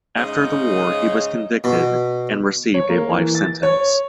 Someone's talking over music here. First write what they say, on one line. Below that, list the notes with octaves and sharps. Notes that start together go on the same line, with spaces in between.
After the war he was convicted, and received a life sentence.
G#2 C#3 D#5
B2
C#5
A#3
E3
A6
C#5